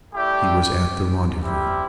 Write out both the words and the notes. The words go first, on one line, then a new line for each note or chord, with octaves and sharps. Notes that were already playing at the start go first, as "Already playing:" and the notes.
He was at the rendezvous.
A3 E4 G4 D5 G5
G3 C4 E4 G4